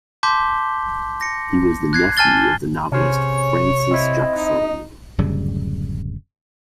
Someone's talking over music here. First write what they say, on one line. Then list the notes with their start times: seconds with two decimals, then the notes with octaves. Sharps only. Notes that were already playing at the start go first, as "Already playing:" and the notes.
He was the nephew of the novelist Frances Jacson.
0.23 A5 C6 D6 G6 B6 G7
1.21 A#6 C#7
1.93 F#6 G#6 C7
2.17 G#5 A5 F6 A6 G7
2.92 C3 C#4 G#4 C5 C#5
3.90 C4 E4 D#5
4.34 D#4
5.18 D1 F#2 C#3 G3